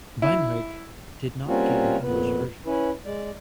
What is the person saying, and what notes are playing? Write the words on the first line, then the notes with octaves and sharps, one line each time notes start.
Weinreich did not give an English version.
E4
G3 A#3 C4 C#4 F4 F#4
F2 A#2 B3 B4
C#4 E4 B4
G#3 D5